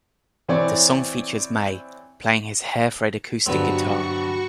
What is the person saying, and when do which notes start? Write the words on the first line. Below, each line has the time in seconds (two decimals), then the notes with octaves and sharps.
The song features May playing his Hairfred acoustic guitar.
0.49 E3 C4 C#5 D5
3.46 G2 D3 F#3 B3 C4 F#4 G4 C#6